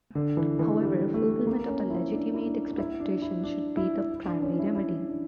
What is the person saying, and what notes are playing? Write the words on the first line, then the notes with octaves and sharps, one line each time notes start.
However, fulfilment of the legitimate expectation should be the primary remedy.
D3
E3
E3
G3
A3
A#3
C#4
E4
D4
E4
D4
D4
E4
D4
E4
D4
E4
D4
C#4
E4
E4
D4